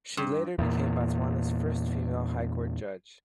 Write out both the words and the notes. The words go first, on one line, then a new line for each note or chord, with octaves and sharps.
She later became Botswana's first female High Court judge.
G2
E2 A#2